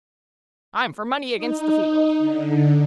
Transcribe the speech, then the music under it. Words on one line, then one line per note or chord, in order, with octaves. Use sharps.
I'm for money against the field.
D#4
D3